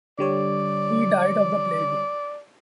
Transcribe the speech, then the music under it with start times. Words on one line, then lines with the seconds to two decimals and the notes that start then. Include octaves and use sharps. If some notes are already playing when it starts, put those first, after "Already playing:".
He died of the plague.
0.19 D3 G3 C#5 D5